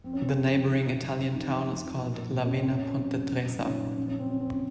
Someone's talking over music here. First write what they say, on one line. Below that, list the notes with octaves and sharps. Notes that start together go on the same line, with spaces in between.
The neighboring Italian town is called Lavena Ponte Tresa.
F3 C4
C#4
C#3 C4
C#3
F3
D#3
C3
F#3
C3
F3 C4 D#4
F3
F3
F3
A#2
A#2
A#2
C#4
A#2
C4
C3 C#4
C#4
C3
C#4
F#3 C4
C3
A#2
F#3
D#4
A#2 C#4
A#2
F3 C#4
C#4
C#3 C4
C#3 C#4
C4
C#3
C#4